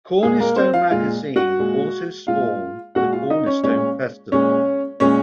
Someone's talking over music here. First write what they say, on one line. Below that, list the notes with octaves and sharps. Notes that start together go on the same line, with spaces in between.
"Cornerstone" magazine also spawned the Cornerstone Festival.
A#2 G#3 G#4
A#3 A#4
C4 C5
F4 F5
A#2 G#3 F4 F5
F#4 F#5
A#2 G#3
A#2 G#3 F4 F5
A#2 G#3 F#4 F#5
F4 F5
D#4 D#5
C#4 C#5
A#2 G#3 C#4 C#5
A#2 G#3 C#4 C#5
A#2 G#3 C#4 C#5